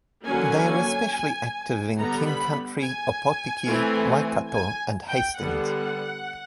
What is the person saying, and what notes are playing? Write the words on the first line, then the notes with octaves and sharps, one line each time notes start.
They are especially active in King Country, Opotiki, Waikato and Hastings.
D3 F#3 A#3 C#4 G#5
D3 G3 B3 A#5
B5
G#5
E3 A3 C4
G#5
G5
D3 G3 B3 F#5